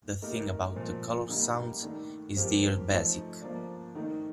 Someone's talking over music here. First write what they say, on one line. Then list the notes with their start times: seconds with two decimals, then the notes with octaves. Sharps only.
The thing about the Coloursounds is they're basic.
0.22 A3 D#4 G4 A#4
0.75 A#2 F3 C4
1.29 D3 G3 A#3 D#4
1.82 D#3 A3 D4
2.36 F3 C4 G4 A#4
2.89 F3 A3 D#4
3.42 F3 A#3 D4
3.95 D#3 A3 D#4